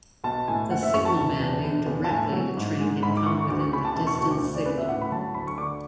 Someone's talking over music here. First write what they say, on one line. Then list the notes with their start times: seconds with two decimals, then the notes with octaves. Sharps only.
The signalman knew directly the train had come within the distant signal.
0.24 B1 A5
0.48 A2 G#5
0.70 F#1 F#5
0.83 E5
0.94 F#2 C#6
1.05 A5
1.17 E1
1.40 E2
1.63 E1
1.86 E2
2.04 A5
2.09 A2 G#5
2.33 F#3
2.57 G#2
2.80 G#3
3.03 G#2 B5
3.17 D6
3.26 E3 C#6
3.49 D2 D6
3.61 C#6
3.73 C#3 B5
3.85 A5
3.96 E1 A5
4.07 C#6
4.18 D2 C#6
4.31 D6
4.42 D2
4.54 D5
4.65 C#3 B4
4.78 E5
4.89 A2 F#5
5.01 B5
5.12 F#3 A5
5.34 D2 B5
5.47 C#6
5.58 D3 D6